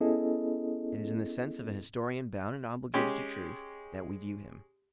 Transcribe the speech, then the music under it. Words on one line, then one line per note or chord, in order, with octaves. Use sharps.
It is in the sense of a historian bound and obligated to truth that we view him.
B3 C#4 E4 G#4 A4 D#5
G#3 C#4 G4